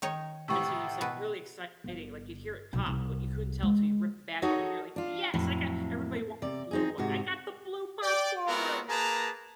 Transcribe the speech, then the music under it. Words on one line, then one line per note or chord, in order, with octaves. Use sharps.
and so it was, like, really exciting, like, you'd hear it pop, but you couldn't tell till you ripped the bag open, you're like, "Yes, I got" everybody wanted blue one, "I got the blue popcorn!"
D#3 D#4 C#5
A1 A2 C3 G5 C#6 E6
B2 B4
G1
B1
C2
G#3
D#4 F#4 A4 C#5 D#5
D4 F4
F2 A2 F#3
C3 D5
C4 D#4 G#4
G#2 C3 F#4
D5 G5
G#3 B3 C4 F4 F#4 A#4
A#3 G#4 B4 A5 A#5